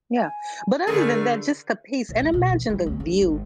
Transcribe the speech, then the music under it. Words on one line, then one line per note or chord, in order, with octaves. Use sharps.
yeah, but other than that, just the peace, and imagine the view
G#5
D3 A3 G#4 A#4
B1
G#2
B2
E3
G3
D2
D4
G#1